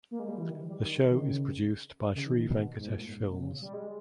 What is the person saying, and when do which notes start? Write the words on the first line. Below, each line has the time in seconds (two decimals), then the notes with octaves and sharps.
The show is produced by Shree Venkatesh Films.
0.11 A#3
0.20 G#3
0.28 G3
0.38 E3
0.48 D#3
0.59 E3
0.68 G3
0.79 D#3
1.10 D#3
1.21 C#3
2.15 C#3
2.26 D#3
2.36 D#3
2.45 B2
2.78 G#2
2.88 A#2
3.08 G#2
3.20 A#2
3.30 B2
3.40 C#3
3.61 G3
3.73 G#3